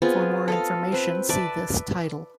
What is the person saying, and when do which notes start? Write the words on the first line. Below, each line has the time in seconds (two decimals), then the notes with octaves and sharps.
For more information, see this title.
0.02 B3 C4 F4 G#4
0.48 A4 D#5 F5
0.92 C4 B4
1.29 B4 D5 E5 A5